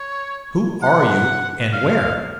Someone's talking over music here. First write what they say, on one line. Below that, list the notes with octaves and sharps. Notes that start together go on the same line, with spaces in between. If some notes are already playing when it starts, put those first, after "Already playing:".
"Who are you--and where?"
Already playing: C#5
F#5
F5